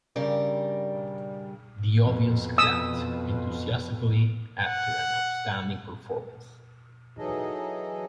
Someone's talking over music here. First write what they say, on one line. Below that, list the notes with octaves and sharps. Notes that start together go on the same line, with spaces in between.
The audience clapped enthusiastically after an outstanding performance.
G2 C#3 G3 A#4 D5
F2 B2
D#6 E6
F#5
E3 F#3 D#4 G#4 A4 D#5